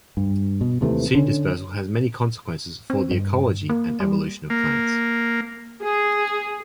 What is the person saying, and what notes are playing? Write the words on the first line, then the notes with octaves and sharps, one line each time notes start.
Seed dispersal has many consequences for the ecology and evolution of plants.
G2
B2
D#2 C3 E3 A3
D3 C#4
C4
G2
A#3
G3
A#3
G#4